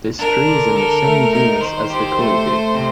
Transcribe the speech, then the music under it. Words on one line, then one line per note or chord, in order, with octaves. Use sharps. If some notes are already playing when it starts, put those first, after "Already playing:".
This tree is in the same genus as the coihue.
D4 A#4
D3
A4
A3
D#4 A#4
D#3 C5
G4
A3
A3
C3